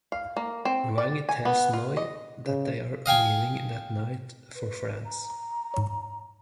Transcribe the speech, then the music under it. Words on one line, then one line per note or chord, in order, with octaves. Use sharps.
Vang tells Noi that they are leaving that night for France.
F5
A#3
C4
D5
G#5
B3
F4
D#5
C#3
D#5 F5 G5 G#5
B4
A#5
G#2 C#5